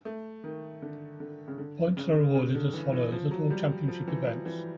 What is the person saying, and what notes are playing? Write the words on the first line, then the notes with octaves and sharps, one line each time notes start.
Points are awarded as follows at all championship events.
A3
D#3
D3
D3
C#3
D3
C#3
C#3
D3
E3
E3
F3
F#3
G3
F3
E3
F3
E3